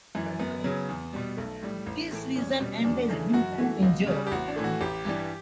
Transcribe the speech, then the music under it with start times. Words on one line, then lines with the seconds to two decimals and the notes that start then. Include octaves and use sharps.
His season ended due to injury.
0.15 F#2 E3
0.39 F#2 B3
0.64 C#3 F#3
0.89 E2
1.13 B2 G3
1.37 B1 A3
1.62 A2 G3
1.86 A1
2.11 A2 E3 A3
2.36 E2 C#4
2.60 B2 G3
2.84 E2 D4
3.09 C#3 E3 A3
3.33 F#2 F#4
3.58 E3 A3
3.82 C#2
4.07 C#3 G3
4.27 G4
4.31 A1 F#4
4.48 D4
4.56 A2 E3 A3
4.64 F#4
4.81 A1 G4
5.05 G2 E3 G3